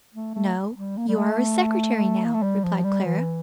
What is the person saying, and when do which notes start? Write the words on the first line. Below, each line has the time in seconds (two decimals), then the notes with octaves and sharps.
"No, you are a secretary now," replied Clara.
0.14 A3
0.34 A3
0.76 G3
0.97 A#3
1.09 G3
1.18 A3
2.24 A#3
2.34 A3
2.43 G3
2.64 F3
2.84 G3
3.06 E3